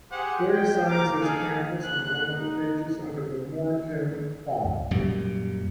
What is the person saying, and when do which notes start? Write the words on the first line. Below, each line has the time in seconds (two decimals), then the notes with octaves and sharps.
Goya signs his canvas on one of the pages under the Moratin palm.
0.12 G4 G#4 C5 F#5
0.51 G5
0.88 A#4 A#5 D6
1.21 D#4 G#4 A4 F5
1.85 F#6
2.30 D#4
4.91 F#2 A#2 G3